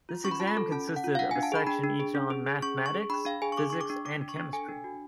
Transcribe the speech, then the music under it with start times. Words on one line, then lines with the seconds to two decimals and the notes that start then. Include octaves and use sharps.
This exam consisted of a section each on Mathematics, Physics and Chemistry.
0.09 F4
0.24 C#4 C#6
0.31 B5
0.40 F4 A5
0.47 B5
0.57 A4
0.71 C#4 A5
0.88 C#4
0.96 F#5
1.04 F4
1.15 F5
1.19 D4 F#5
1.31 G#5
1.36 D4
1.43 A5
1.52 G#4 B5
1.67 D4 B5
1.84 D4
2.00 G#4
2.15 C#4
2.30 G#4
2.47 G#4
2.62 C#4 C#6
2.78 G#4
2.86 C#6
2.95 G#4
3.10 D4 B5
3.25 D4 F5
3.42 G#4 G#5
3.52 C#6
3.57 G#4 D6
3.70 D4 C#6
3.81 D6
3.90 D4
4.05 D4 D6
4.21 D4
4.29 C#6
4.37 D4
4.53 A4 G#5
4.69 D4
4.84 F#4